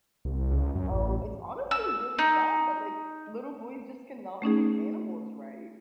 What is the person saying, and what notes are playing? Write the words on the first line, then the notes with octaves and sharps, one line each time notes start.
Um, it's honestly really sad that, like, little boys just cannot treat animals right.
C2
C#2
F#2
A1
E6
D#4
A3 C#4 D#4 G#4